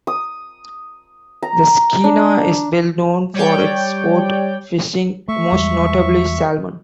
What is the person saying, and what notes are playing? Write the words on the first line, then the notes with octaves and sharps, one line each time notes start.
The Skeena is well known for its sport fishing, most notably salmon.
D#6
A#5
D4
G3 C#5 D5 G5
A3 E5 C#6
E2 G3 G#3